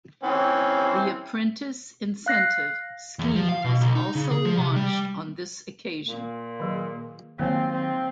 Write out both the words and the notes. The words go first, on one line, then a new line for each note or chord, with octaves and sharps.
The Apprentice Incentive Scheme was also launched on this occasion.
E3 C4 C#4
F5 F#6 A#6 C7
E2
F3
F5
B2
B1
D#4
C#3
G#4
F3
C3
G3
A#2
D#3 F#3 G#4
D#3 F#3 A#3 C4 F4 C#5 G#5
C4